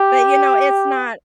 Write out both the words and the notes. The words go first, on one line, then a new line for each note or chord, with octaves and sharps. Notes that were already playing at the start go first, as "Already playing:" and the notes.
but, you know, it's not
Already playing: G4